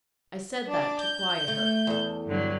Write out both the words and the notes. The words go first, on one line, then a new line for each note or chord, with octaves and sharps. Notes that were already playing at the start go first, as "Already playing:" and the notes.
I said that to quiet her.'
D4 D5
G6
A3
E2 A4
G2 D3 F#3